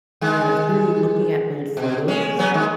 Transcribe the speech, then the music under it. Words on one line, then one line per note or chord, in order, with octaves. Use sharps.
uh through looking at old photos,
D#3 G#3
B2
G#3 C#4
F#3 B3
D#3 G#3